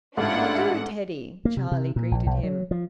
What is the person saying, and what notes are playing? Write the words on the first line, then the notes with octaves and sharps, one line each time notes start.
"How do, Teddy?" Charlie greeted him.
A1 G#2 A3 D4 E4 F4 F#5
A#3
C3
C3
A#2
A#1
B1
F#3
F3